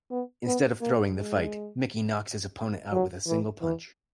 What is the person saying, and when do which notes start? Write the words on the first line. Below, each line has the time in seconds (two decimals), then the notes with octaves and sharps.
Instead of throwing the fight, Mickey knocks his opponent out with a single punch.
0.11 B3
0.46 B3
0.81 A#3
1.16 G#3
2.92 F#3
3.27 E3
3.62 E3